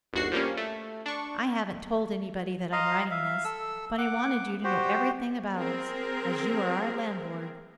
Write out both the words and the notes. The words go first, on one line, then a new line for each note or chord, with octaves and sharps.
I haven't told anybody that I am writing this, but I wanted you to know everything about us, as you are our landlord.
G1 D#2 F#4 C7
F3 G3 A#3 C#4
A3
D4 C#6
D#5 F5 A#5 C6
E5 F5
A4 E6
F#5 D6
F#4 G4 C5 G5
C4 G#4 A#4